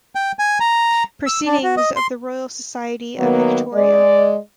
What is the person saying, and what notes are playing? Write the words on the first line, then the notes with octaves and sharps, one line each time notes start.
Proceedings of the Royal Society of Victoria.
G5
G#5
A#5
E6
D4
F#4
D#5
C6
D#3 F#3 A#3 B3
G#3 D5 D#5